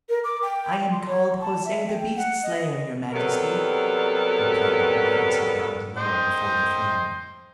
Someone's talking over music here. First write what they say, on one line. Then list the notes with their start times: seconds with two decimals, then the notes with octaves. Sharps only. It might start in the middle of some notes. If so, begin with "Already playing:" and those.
"I am called Jose the Beast Slayer, your majesty," replied the boy as he bowed low before the throne.
0.09 A#4
0.24 D6
0.42 G5
0.91 C6
1.07 C#5
1.41 A5
1.66 E5
1.87 G5
2.17 F#5
2.43 D#5
3.13 C3 F#3 G3 B3 A4 A#4
5.97 C5 D#5 G5